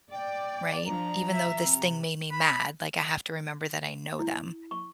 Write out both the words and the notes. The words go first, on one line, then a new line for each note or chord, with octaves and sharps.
right? Even though this thing made me mad, like, I have to remember that I know them.“
D5 G5
F3 D4 A#5
E5
C3
B5
E4
C#6